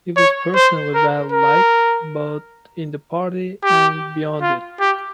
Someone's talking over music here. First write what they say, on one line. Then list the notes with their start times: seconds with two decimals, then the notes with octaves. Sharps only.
He was personally well-liked, both in the party and beyond it.
0.16 C#5
0.55 C5
0.94 A#4
1.32 A#4
3.64 G4
4.41 F4
4.80 G4